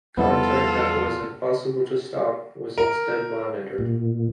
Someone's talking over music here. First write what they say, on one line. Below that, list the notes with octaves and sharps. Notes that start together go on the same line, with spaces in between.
Contact that was impossible to stop was instead monitored.
E2 F3 G3 B3 E4 F4 A4 E5
A#4
A#2